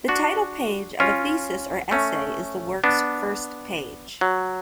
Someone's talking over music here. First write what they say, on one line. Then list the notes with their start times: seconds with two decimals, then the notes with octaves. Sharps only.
The title page of a thesis or essay is the work's first page.
0.08 D4 F#4
1.00 C#4 F4
1.91 A3 C#4
2.84 B3 D4
4.21 F#3